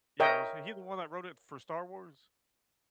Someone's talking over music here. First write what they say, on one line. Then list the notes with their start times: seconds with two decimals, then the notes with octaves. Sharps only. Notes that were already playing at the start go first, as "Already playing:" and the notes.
Yeah, was h he the one that wrote it for Star Wars?
0.20 A#4 C#5 D#5 E5 G5